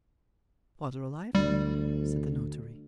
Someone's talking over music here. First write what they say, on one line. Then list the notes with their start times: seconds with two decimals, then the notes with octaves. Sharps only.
'Father alive?' said the Notary.
1.35 D2 G3